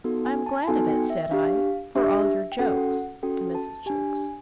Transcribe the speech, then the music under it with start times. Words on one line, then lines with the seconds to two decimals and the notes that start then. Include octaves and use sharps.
I am glad of it, said I, for all your jokes, to Mrs. Jewkes.
0.04 B3 D#4 F#4 A4
0.25 G#5
0.46 A5
0.67 B3 D#4 F#4 A4 G#5
0.89 G5
1.10 E5
1.31 D4 G4 F5
1.95 D4 G4 E5
2.52 G5
2.59 C#4 F#4 A4 F#5
3.23 C#4 F#4 A4 G5
3.55 A5
3.86 D4 G4 G#5